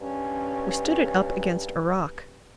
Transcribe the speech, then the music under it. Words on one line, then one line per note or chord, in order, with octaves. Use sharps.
We stood it up against a rock.
G2 C#4